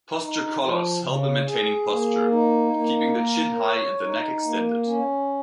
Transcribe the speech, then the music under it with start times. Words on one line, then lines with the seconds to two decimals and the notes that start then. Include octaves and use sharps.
Posture collars help in maintaining posture, keeping the chin high and the neck extended.
0.18 D#4
0.59 F3
1.03 C#3
1.45 G#4
1.87 A#3
2.31 D#4
2.73 A#3
3.15 A#4
3.58 C#5
4.01 D#4
4.42 A#3
4.86 C#4